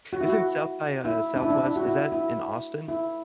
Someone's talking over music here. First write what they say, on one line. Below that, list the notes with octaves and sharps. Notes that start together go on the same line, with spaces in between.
Isn't South by, uh, Southwest? Is that in Austin?
F#4
E4
F#4
E4
D4
E4
D4
E4
F#4
E4
E4
E4